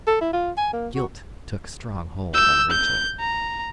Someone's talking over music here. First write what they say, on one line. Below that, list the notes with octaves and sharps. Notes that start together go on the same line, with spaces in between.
Guilt took strong hold on Rachel.
A4
E4
F4
G#5
A#3
F#4
E6 G6
G6
A#5